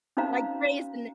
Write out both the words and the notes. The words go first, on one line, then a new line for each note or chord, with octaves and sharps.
like, Grey's Ana
C#4 D#4 F#4 C5 F5 A#5